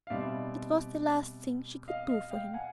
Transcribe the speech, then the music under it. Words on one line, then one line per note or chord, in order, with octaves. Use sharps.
It was the last thing she could do for him.
F5
B2 G3 C4 D#4 D5 E5
D#5 F5
D#5 F5
F5 G5
F#5 G#5